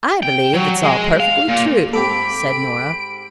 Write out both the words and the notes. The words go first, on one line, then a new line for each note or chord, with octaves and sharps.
"I believe it's all perfectly true," said Nora.
G5
F#3
G#3
F5
A#2
G#2 C4 G4 A4 B5 D6 D7